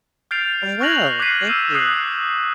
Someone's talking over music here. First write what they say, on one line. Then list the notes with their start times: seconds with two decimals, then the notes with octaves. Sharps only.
I'm well, thank you.
0.31 F6 G6 A6 C7 D7 F7
0.80 C#6 F6 F#6 A#6 F7 F#7
1.19 D6 F#6 G#6 B6 C7 D#7
1.47 E6 F6 G6 D#7 E7
1.74 D#6 F#6 C7 F#7